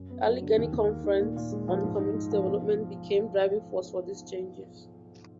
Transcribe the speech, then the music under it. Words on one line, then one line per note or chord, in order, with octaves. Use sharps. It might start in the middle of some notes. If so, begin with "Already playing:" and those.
The Allegheny Conference on Community Development became a driving force for these changes.
Already playing: F#2
B3
F#3
D3
D#2
D#2
A#3
D#3
A#2
A#2
G#3
F3
G#2
D#4
G#3
F3
B1